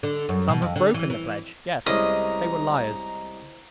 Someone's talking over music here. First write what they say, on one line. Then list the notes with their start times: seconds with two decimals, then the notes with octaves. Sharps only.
"Some have broken the pledge." Yes; they were liars.
0.03 D3
0.29 F#2
0.48 B2
0.62 F2
0.76 D3
0.94 E3
1.10 E3
1.86 C2 G#3 C#4 E4 C5 D#5 A#5 C#6